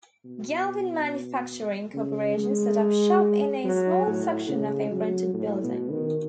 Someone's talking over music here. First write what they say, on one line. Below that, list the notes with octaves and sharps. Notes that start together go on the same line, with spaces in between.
Galvin Manufacturing Corporation set up shop in a small section of a rented building.
B2
C#3
G#3
F#3
A2
C#3
F#3
A2
B2
D#3